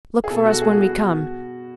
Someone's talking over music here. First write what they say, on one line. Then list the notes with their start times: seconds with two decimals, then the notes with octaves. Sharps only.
Look for us when we come.
0.24 G#4
0.30 B2 A4
0.45 F#4
0.62 G#4
0.77 B2 F#4